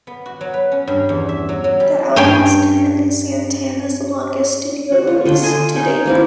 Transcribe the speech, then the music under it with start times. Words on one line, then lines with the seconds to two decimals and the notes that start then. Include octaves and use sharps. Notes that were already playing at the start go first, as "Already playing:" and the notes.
The album is currently Santana's longest studio release to date.
0.07 B3
0.26 F#4
0.41 F#3
0.54 B4
0.72 C#4
0.87 G2
1.09 E2
1.29 E5
1.49 F#3
1.64 F#3
1.80 G3
2.16 G2 C#4 C#5 G5 G#5
4.92 F#4
5.07 F4
5.25 D3 F4 G5
5.42 D#5 G#5 C6
5.75 C#4 D#4 G5 G#5
6.05 A#3 C4 E4